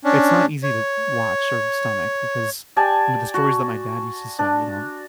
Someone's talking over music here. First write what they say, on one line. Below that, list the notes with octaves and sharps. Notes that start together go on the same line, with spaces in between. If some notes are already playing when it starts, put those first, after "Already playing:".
it's not easy to watch or stomach because, me the stories that my dad used to say, you know,
C#4 D4
C#5
G4 D5 G#5 A5
F#4
D4